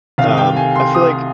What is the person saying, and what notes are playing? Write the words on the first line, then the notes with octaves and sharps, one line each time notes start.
Um, I feel like
C2 C3 D#3 F5
G5
G#5
C6
D#6